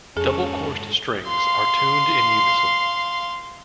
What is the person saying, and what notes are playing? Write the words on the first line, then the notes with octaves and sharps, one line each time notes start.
Double-coursed strings are tuned in unison.
F2 G#2 C#4 G#4 A4
F5 C6